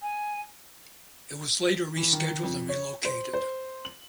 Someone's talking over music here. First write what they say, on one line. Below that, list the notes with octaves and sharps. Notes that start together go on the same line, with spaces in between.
It was later rescheduled and relocated.
G#5
E3
D#3
F2
C#5
C5
C5
F#7